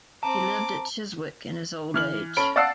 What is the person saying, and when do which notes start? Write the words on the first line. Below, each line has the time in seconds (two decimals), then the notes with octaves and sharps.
He lived at Chiswick in his old age.
0.23 C4 A5 A#5 D6
1.94 E3 F6 F#7
2.37 C#4 A4 B5 D7
2.56 D5 F5 F#5 A5 E6 C7